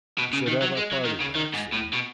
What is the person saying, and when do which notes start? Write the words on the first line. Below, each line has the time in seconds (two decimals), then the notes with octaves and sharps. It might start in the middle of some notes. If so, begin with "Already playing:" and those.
We should have our party back soon.
0.18 B2
0.33 C#3
0.47 D#3
0.62 F#3
0.77 G#3
0.92 F#3
1.05 D#3
1.20 C#3
1.35 D#3
1.53 G#2
1.72 A2
1.93 B2